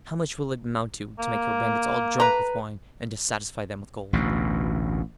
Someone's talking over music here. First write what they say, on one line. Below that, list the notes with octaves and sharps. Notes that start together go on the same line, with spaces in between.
"How much will it amount to, to make your bandits all drunk with wine, and to satisfy them with gold?"
A#3
B4 A#5
A1 D2 B2